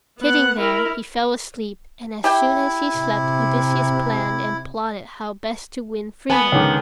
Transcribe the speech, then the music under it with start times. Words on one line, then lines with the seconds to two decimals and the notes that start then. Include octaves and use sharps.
Sitting there, he fell asleep, and, as soon as he slept, Odysseus planned and plotted how best to win freedom.
0.19 B3 F#5
0.60 E4 A#4
2.24 E4 G4 E5 G5
2.97 C3
6.30 B3 G#5 A5 B5
6.52 C#2 D3 D#3